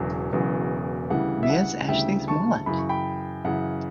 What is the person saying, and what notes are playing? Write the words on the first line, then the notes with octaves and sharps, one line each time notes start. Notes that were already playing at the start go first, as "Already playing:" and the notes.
Where's Ashley's wallet?
Already playing: E1 E2 C#3 F#3
E1 E2 C#3 F#3
D2 C#3 E3 G3 F#5
E5
F#5
D2 C#3 E3 G3 E5 G5
A5 C#6
F#2 C#3 E3 B5
C#6
G5 B5
F#2 C#3 E3 F#5